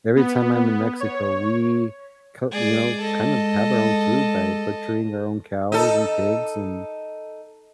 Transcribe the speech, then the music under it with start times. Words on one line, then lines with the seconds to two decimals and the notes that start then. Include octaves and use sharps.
every time I'm in Mexico, we, cut you know, know, kind of have our own food by butchering our own cows and pigs and,
0.16 B3
1.00 C#5
2.52 G#3 G#4 D5
3.00 A4 D#5
5.72 D#4 A4